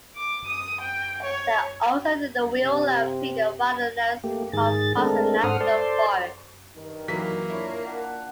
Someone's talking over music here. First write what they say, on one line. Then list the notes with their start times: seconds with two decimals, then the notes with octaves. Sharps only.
They are also in the Wheeler Peak Wilderness of Carson National Forest.
0.16 D6
0.47 D#6
0.81 G5
1.23 C#5
2.64 C3
4.24 A3 A#3 G4
4.53 G#2 D#3 G#4 A6
4.96 G#3 A3 C4 D4 A4 A#4
5.44 G#2 A4 C5 F#5 D#6 F6
5.60 A4 C5 D5 A5 C6
6.75 G2 D#3
7.08 E3 F#3 A#3 B6
7.50 D4 E4 F4 C#5
7.86 A#2 D4 F#5